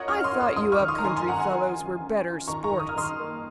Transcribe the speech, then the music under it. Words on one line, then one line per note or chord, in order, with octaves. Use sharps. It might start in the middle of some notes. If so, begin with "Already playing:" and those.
"I thought you up-country fellows were better sports."
Already playing: F#3 F4 A#4 C#5 D#5 F#5
C#4 C#6 F6
C6 D#6
F4
C6 D#6
G#2 C6 D#6
C#6 F6
D#3
C6 D#6
A#5
D#3 G#5 C6
G#5 C6
G#1 F#5 A#5
G#5 C6
F4
F#2
F#2
F4
D#3 A#5 C#6
A#5 C#6
D#3
D#6
F6
D#3 C6 D#6
A#3